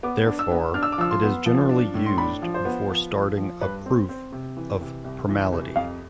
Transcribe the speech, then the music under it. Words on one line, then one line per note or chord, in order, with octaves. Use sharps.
Therefore, it is generally used before starting a proof of primality.
B3 D6
D4
E6
B3
D4 F6
E6
D6
F3 E6
C6
B3
F3
D4
A2
C6
D4 B5
F3
C5
B3
F3
F3
F3
G2 B4
C4
C4
C3
E3
C3
C2
E3
C2
F2 F5